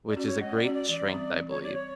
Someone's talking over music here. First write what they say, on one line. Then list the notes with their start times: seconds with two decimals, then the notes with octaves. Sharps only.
which is a great strength, I believe,
0.09 D5
0.16 C#4 F#4
0.25 C#5
0.41 G#3 D#5
0.56 D5
0.65 C#4 F#4
0.74 D5
0.89 E3 D5
1.13 G3 C4
1.37 E3
1.50 C#5
1.61 G3 C4 D5
1.73 C#5